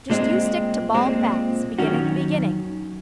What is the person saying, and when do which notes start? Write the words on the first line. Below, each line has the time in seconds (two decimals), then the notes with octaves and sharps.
Just you stick to bald facts. Begin at the beginning.
0.10 A#2 G#3 C4
0.94 A#2 G#3 C4
1.79 F#2 D#3 F#3 C#4 F#4